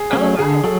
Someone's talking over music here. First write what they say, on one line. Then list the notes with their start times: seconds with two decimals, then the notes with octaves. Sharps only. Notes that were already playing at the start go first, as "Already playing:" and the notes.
Oh, wow.
Already playing: G#4
0.13 F#3 A3 C#4
0.39 D3 G#4
0.64 F#3 A4